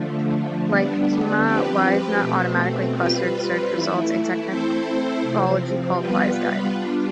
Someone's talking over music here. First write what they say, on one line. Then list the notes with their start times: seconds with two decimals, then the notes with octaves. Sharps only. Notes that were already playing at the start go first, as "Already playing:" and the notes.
Like Teoma, WiseNut automatically clustered search results, a technology called "WiseGuide".
Already playing: D3 F3 A3
0.65 D3 G3 B3 D4
1.42 F3 C4 G4 B4
2.17 B2 A3 C4
2.93 G3 C4 F4 B4
3.70 E3 A3 E4
4.46 A3 C4 E4 A4 C5
5.22 C3 F3 C4
5.97 G3 B3 F4 B4
6.73 G3 D4 F4